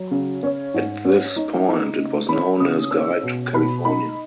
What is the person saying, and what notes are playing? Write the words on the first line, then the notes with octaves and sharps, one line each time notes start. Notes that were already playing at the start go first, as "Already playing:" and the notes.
At this point it was known as "Guide to California".
Already playing: F#3
C#3
C#4
G#2
C#4
D#4
D#4
C#3
C#4 B5
C#3 D#6
C#4 E6
B2
B2 B5
D#4 B5